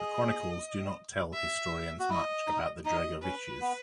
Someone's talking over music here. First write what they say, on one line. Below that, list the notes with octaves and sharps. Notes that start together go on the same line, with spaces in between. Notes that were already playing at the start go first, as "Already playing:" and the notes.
The chronicles do not tell historians much about the Dregoviches.
Already playing: G#4 D#5
E5
F#4
E4 D#5
D#4
D#4 D#5
C#4 B4
B3